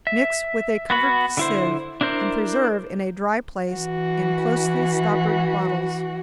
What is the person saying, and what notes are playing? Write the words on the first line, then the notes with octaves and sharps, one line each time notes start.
Mix with a covered sieve and preserve in a dry place in closely stoppered bottles.
E5
B3 F#4 B5
D3 E4 C5
D4 E4 A#4 C5 D5
E3 F#4